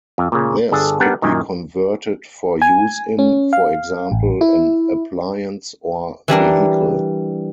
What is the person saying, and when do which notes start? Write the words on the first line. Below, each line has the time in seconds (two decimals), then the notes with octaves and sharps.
This could be converted for use in, for example, an appliance or vehicle.
0.18 F2
0.32 A#2 C#3
0.72 G1 D4 G#4 A4
1.00 G3 B3 D4 A#4 F#5
1.22 F#2 A#2 D#3
2.62 G#5
3.19 C#4
3.53 F5
4.12 A1
4.41 E4
6.28 E3 G3 D4 A#4